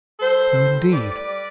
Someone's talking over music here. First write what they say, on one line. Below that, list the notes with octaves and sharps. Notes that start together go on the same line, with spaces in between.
No, indeed!
G3 A4 C5
A2
G3 B4 D5
G3